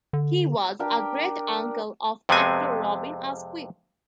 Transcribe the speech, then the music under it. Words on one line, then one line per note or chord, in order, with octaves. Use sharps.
He was a great-uncle of actor Robin Askwith.
D3
D4 G4 A#4 G5
F2 C3 G#3 B3 C4 G#5